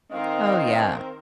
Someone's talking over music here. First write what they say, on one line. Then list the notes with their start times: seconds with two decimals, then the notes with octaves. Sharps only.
Oh, yeah.
0.12 D#3 C4 A#4 C5 D#5 F5